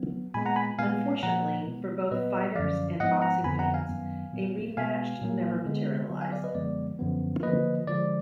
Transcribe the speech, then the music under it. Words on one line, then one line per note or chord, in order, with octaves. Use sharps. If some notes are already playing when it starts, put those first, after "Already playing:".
Unfortunately for both fighters and boxing fans, a rematched never materialized.
Already playing: F#3 B3
A#2 G#3 B3 G#5 B5
F#5 A#5
G#5 B5
A#2 G#3 B3 F5 G#5
A#2 F3 A#3 F#5 A#5
B2 G#3 B3
A#2 F#3 B3 B4 D#5
F#2 D3 F3 D5 F5
G#2 F3 B3 D#5 F#5
F#5 A#5
F2 D3 F3 B3 G#5 B5
F#5 A#5
F5 G#5
F#2 D#3 F#3 B3
A#2 F#3 B3
B2 G#3 B3 F5 G#5
A#2 F#3 A#3
D3 G#3 B3
D3 F#3 B3
F5 G#5
D5 F5
B4 D#5
F#2 D3 F3 G#3 B3 D5
F#2 D3 F3 B3
D3 F3 A#3 B4 D#5
D3 F3 G#3 D5